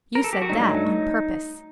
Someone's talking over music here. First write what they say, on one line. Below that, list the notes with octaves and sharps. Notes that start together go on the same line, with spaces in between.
You said that on purpose!
A#4
A4
G4
F#4
G2 F#3 A3 D#4